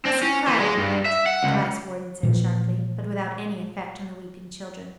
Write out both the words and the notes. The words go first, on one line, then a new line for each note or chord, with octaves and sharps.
"Mustn't cry like that!" the Vice-Warden said sharply, but without any effect on the weeping children.
C4
C#4
E3
G#3
G2
E5
F#5
C#2
A#2 E3 F3